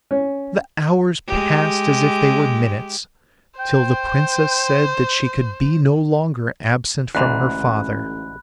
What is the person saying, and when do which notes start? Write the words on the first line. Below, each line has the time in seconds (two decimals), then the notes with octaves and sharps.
The hours passed as if they were minutes, till the princess said that she could be no longer absent from her father.
0.11 C#4
1.27 G#3 G4
3.60 C5 G5
7.15 A1 D2 G#2 B5 F#6